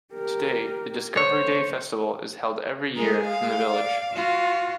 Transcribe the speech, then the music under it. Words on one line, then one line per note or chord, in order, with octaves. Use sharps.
Today, the Discovery Day festival is held every year in the village.
G4 A#4
C5 C#5
G#3 G#4 A#4
F5
D5
F4 F#4